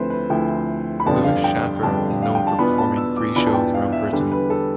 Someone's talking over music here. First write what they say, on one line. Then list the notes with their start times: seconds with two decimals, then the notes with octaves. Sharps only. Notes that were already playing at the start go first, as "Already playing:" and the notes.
Lewis Schaffer is known for performing free shows around Britain.
Already playing: D2 D3 F3 C4 E4 B4 C5
0.10 B4
0.29 D2 D3 F3 C4 E4 G5
1.00 B5
1.05 G1 F2 D3 G3 D4 A5
1.25 F5
1.44 G5
1.83 G1 F2 D3 G3 D4 A5
2.23 F5
2.35 G5
2.47 A5
2.59 E2 B2 B3 D4 F4 B5
2.78 A5
2.97 E6
3.17 D6
3.35 E2 B2 B3 D4 F4 B5
3.47 A5
3.54 G5
3.74 F5
3.92 E5
4.11 E2 D3 G3 D4
4.32 B4
4.50 A4